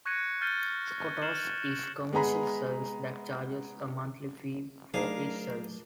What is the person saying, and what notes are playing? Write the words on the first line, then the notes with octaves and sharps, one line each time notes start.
Skotos is a commercial service that charges a monthly fee for its services.
C#6 F#6 G#6 A#6 C#7 D#7
F6 G6 A6 C7 D#7 G7
F6 C7 E7 F#7
G#3 B3 G#4 A#5 B5
F#3 A3 D4 D#4 G#4 A#4 F5